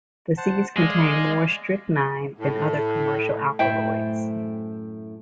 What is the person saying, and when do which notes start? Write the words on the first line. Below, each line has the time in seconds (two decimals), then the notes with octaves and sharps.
The seeds contain more strychnine than other commercial alkaloids.
0.37 C5 F#5 A5
0.77 G#3 D5 F5 G#5
2.39 A2
3.59 F#2 A2 A3 E4 C5 G5